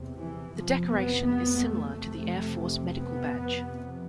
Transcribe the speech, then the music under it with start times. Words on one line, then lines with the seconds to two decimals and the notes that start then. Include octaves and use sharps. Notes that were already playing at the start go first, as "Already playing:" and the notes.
The decoration is similar to the Air Force Medical Badge.
Already playing: E2 C3
0.21 E3
0.55 F2 C3 F3
0.90 B3
1.24 B3
1.58 A3
1.93 F2 C3
2.97 B3
3.31 F2 C3